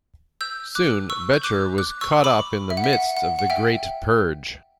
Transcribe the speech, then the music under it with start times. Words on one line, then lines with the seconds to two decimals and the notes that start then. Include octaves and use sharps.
Soon Becher was caught up in the midst of the Great Purge.
0.41 E6 G6
0.75 D6 F#6
1.10 C#6 E6
1.34 G6
1.43 D6 F#6
1.78 D6 F#6
2.01 C#6 E6
2.24 B5 D6
2.70 E5
2.77 F#5
2.84 E5
2.93 F#5
3.17 F#5
3.39 F#5
3.50 E5 G5